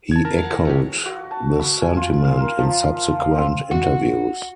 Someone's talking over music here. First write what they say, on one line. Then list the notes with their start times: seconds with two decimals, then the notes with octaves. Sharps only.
He echoed this sentiment in subsequent interviews.
0.11 A5 G#6
0.25 A#4 A5
0.39 F5 F#5
0.50 E3
0.65 G#3 G4 C#5
1.06 F#4
1.31 A5
1.60 B5
1.81 G#5
1.97 F4
2.25 F5
2.40 A#4
2.58 F3
3.35 C4
3.71 F#4